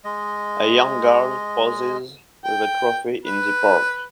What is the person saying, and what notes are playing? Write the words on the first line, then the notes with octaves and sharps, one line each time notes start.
A young girl poses with a trophy in the park.
G#3 D#5
G5
B4